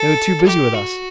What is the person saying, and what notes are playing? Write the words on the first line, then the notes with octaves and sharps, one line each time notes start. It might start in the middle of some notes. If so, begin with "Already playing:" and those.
'They were too busy with us.
Already playing: A4
G4
F#4